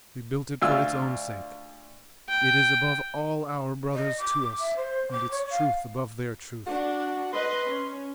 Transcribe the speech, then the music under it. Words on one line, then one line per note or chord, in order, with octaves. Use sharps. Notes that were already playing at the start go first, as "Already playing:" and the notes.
We built it for its own sake. It is above all our brothers to us, and its truth above their truth.
D2 F4 E6
G5
D#5
D6
E5
C5
D6
C#5
F5
D4 F#4
B4 D#5 C6
C#4